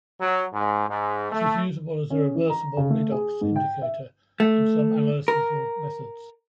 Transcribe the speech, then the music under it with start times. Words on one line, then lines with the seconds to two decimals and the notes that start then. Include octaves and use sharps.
It is usable as a reversible redox indicator in some analytical methods.
0.20 F#3
0.53 G#2
0.89 G#2
1.32 A3
2.10 C#4
2.35 E3
2.50 A#5
2.77 C#3
2.90 A3
3.12 G#4
3.41 G#2
3.56 G5
3.82 E5
4.40 A3
5.28 A#4